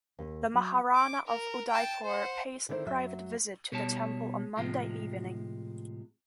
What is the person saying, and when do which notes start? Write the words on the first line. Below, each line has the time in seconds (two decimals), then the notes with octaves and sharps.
The Maharana of Udaipur pays a private visit to the temple on Monday evening.
0.19 D#2
0.54 F#3
0.95 D6
1.27 A#4
1.70 G5 A5
2.04 C5 F#5
2.69 D3 D#3 C4 E4 C5
2.86 F#2 F#3 E5
3.72 B2 G3 C#5 A5
4.57 A2 C3 F3 G#3